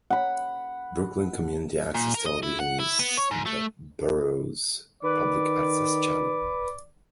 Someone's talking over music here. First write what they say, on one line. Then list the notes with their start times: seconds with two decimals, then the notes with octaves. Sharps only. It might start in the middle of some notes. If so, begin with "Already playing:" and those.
Brooklyn Community Access Television is the borough's public access channel.
0.10 F#5 B5
1.94 A#2
2.14 A#4
2.26 D#5
2.43 E4
2.60 F#5
2.79 E4
2.99 B3
3.18 C#5
3.31 G#2
3.46 A3
5.03 D#3 B4 D5